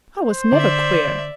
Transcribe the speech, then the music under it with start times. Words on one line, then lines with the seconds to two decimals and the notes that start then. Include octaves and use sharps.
I was never queer.
0.19 C5
0.52 D3 D5 E5